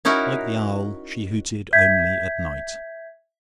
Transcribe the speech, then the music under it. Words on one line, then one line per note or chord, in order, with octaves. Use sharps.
Like the owl, she hooted only at night.
C#4 D#4 E4 F#4 A#4
E5 G6 G#6 B6